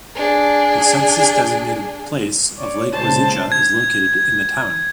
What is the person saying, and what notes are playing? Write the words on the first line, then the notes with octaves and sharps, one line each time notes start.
The census-designated place of Lake Wazeecha is located in the town.
D4 G#4
C#5 D5
A#2 C#3 G#3 C5 A5
G#6